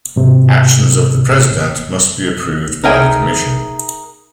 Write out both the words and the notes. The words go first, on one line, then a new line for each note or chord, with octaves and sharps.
Actions of the President must be approved by the Commission.
G#2 C3
D#4 G#4 A#4 E5 G5 G#5